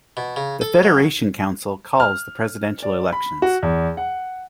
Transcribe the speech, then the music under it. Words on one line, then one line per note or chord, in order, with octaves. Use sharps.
The Federation Council calls the presidential elections.
B2
C#3
A4
F#3
F6
D5
B5
F#4
E2
F#5